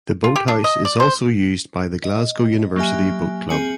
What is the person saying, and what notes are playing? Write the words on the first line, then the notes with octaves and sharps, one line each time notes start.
The boathouse is also used by the Glasgow University Boat Club.
F4
G4
D4
D#5
D5
C5
D#5
F#3 A#3 G4 E5 G#5
C4 G#4 G#5 C#7 F#7